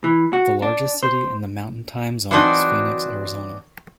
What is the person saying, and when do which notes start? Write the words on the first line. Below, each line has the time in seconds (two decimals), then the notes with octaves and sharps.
The largest city in the Mountain Time Zone is Phoenix, Arizona.
0.04 E3
0.33 F#4
0.62 D4
1.03 C5
2.31 E3 F#3 C4 D4 D#4 F#4